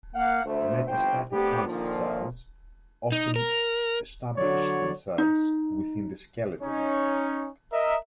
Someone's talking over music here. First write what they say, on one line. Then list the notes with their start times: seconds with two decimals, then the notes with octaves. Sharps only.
Metastatic cancer cells often establish themselves within the skeleton.
0.14 A#3 F5 F#5
0.45 D2 A3 C5 E5
0.88 G1 C2 F3 C4 C5 G5
1.31 A3 B3 C4 D4 G4
1.66 A#2 D3 D#3 F3
3.12 D#4
3.36 A#4
4.37 D3 F#3 C#5 D5
5.18 D#4
6.62 C#4 D#4 C#5
7.73 A#4 D#5 E5